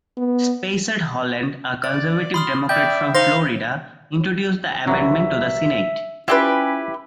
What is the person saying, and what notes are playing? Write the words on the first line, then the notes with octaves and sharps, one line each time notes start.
Spessard Holland, a conservative Democrat from Florida, introduced the amendment to the Senate.
B3
D5 A6
B5 C6 D#6 F6
D5 E5 G5 G6
D#4 C5 F5 A#6 G7
C2 E3 F#3 E5
C#4 E4 F4 G4 B4 C5 D5